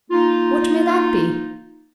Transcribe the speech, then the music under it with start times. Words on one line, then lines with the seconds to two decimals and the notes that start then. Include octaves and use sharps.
"What may that be?"
0.10 A#3 D#4 F4